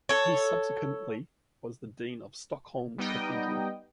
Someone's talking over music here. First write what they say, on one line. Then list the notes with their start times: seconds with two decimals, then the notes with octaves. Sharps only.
He subsequently was the Dean of Stockholm Cathedral.
0.09 A4 C#5
2.98 G3 B3 D#4 D#5 G5